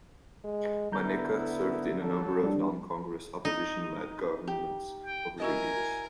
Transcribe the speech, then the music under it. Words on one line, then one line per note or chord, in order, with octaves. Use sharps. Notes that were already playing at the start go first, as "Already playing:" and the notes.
Maneka served in a number of non-Congress opposition-led governments over the years.
G#3
D3 B3 E4 A#5 G6
D#2 F#3 A4
G3 D4
D#4
G4
G5
E4 F#4 A#4 D#5 G#5